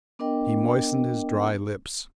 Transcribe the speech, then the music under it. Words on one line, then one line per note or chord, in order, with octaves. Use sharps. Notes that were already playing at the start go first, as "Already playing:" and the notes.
He moistened his dry lips.
B3 D4 A#4 D#5 G5